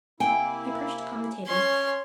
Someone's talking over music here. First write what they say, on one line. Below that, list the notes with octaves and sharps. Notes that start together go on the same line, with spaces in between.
He perched upon the table.
C3 A#3 E4 G5 G#5
C#4 C#5 C6